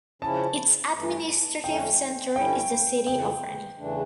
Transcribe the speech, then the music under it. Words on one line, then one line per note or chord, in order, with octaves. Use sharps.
Its administrative center is the city of Reni.
C#3 F3 C#4 E4 A5
G2 E3 A3
F2 D3 A3 C#4 G5
G2 D3 G3 C#4 E4 G5
F2 C#3 E3 G5
E2 C#3 E3 A3 D4